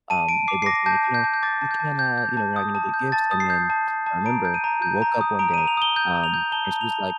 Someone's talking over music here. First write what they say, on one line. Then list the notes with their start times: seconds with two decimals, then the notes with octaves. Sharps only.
um, they both were like, you know, "We can't all" you know, "we're not gonna get gifts," and then I remember we woke up one day, um, and she was like
0.10 A5 D#7
0.28 A5 D7
0.48 D6 C7
0.62 C7
0.66 D6 A#6
0.86 A5 G6
1.04 A5
1.14 G6
1.24 A5
1.34 G6
1.43 D6 A6
1.61 A5
1.71 G6
1.80 A5
1.99 G6
2.18 G6
2.37 A5
2.56 D#6
2.75 A5
2.94 G6
3.12 A5 A6
3.31 D#6
3.40 C7
3.50 G6
3.70 A5
3.88 A5
4.06 A5
4.26 A#5 D7
4.45 G6
4.54 D#7
4.64 A#5
4.82 G6
5.02 A#5
5.21 D#6
5.39 A#5 D7
5.54 D#7
5.58 A#5
5.67 F7
5.77 D#6 G7
5.96 G6 G7
6.15 A#5
6.24 F7
6.34 G6
6.52 A5 G7
6.71 A5
6.81 F7
6.91 A5